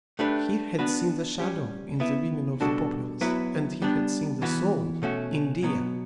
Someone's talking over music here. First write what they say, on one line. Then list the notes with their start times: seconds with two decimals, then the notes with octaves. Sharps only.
He had seen the shadow in the women of the populace, and he had seen the soul in Dea.
0.19 A3 D4 G4 B4
0.79 B3 D4 F#4 B4
1.39 G3 C#4 G4
2.00 B3 E4 B4 E5
2.60 B2 G3 D4 F#4 A4
3.21 F#3 B3 E4 B4
3.82 G3 B3 D4
4.42 E3 B3 F#4 B4
5.02 B2 A3 C#4 F#4
5.62 B2 F#3 B3